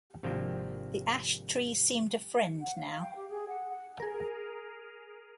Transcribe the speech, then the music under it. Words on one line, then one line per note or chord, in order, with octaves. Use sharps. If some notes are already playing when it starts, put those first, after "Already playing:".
The ash-tree seemed a friend now.
G#1 C3 F3 A#3 D4 G5
F#5
F5
G5
G4
G#4
F#5
F#5
G#4 A#4